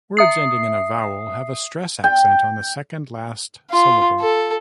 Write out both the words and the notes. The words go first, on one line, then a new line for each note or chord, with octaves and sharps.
Words ending in a vowel have a stress accent on the second-last syllable.
E5 D#6 C7
G5
F4
A4